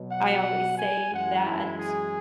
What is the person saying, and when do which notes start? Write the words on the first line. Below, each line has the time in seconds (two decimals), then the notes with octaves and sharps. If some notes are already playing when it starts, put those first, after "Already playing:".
I always say that
Already playing: B2 F#3
0.11 F#5
0.77 G#5
1.10 F#2 E3 G#3 F#5
1.44 E4
1.78 G#4